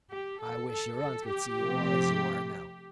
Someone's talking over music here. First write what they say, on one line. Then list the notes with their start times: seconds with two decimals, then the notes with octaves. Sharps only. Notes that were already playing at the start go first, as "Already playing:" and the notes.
I wish your aunt could see you all as you are now.
0.12 G4
0.41 A4
0.70 A4
0.99 A4
1.29 G4
1.58 C3 F3 A3 C4